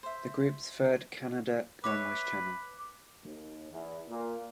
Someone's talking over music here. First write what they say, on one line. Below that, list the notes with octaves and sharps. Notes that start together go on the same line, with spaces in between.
The group's third Kannada-language channel.
C5 E5
B4 C#5 E5 B5 D6
D#2
E2
A#2